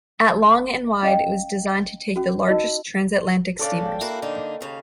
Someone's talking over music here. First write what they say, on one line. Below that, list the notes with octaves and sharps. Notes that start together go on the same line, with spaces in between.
At long and wide it was designed to take the largest trans-Atlantic steamers.
C#4 D#5 F5 G5
C#4 F#4
D#4 F#4 A#4 D#5
C#3 D4 A4 D5 F5
G5
A#3 E4 F#4
D3 A#3 D#4
D#2 C#3 F5